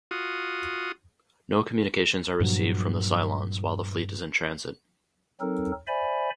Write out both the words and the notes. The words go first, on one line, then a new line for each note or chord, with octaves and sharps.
No communications are received from the Cylons while the fleet is in transit.
F4 F#4 D#6
G2 A#2 F3 F#3
F#3 C4 D#4 A4 A#4
C5 D5 E5 G#5 B5